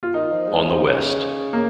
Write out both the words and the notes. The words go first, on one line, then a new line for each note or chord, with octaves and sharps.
On the West.
F4
D#3 D#4
F3
G#3
F3
C#3
A#3